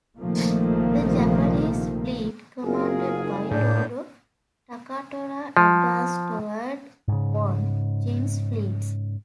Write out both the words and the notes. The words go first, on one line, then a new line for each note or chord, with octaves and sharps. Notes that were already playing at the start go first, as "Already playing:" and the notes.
The Japanese fleet, commanded by Todo Takatora, advanced toward Won Gyun's fleets.
A#1 C3 D#3 F3 A3 A#3
F#1 F4 G#4 A#4
A2 D4 C#5 G6
F3
G#2 C#3